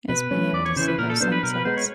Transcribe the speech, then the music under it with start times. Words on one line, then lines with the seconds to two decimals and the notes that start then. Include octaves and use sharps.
is being able to see those sunsets.
0.09 B2 B4
0.31 F#3 A3 C#4
0.53 E2 D5
0.65 C#5
0.76 C#3 E3 C5
0.87 B4
0.98 A#2 A#4
1.09 A4
1.20 F#3 B3 D4 C5
1.32 B4
1.43 B2 A#4
1.54 B4
1.65 G#3 B3 C5
1.77 C#5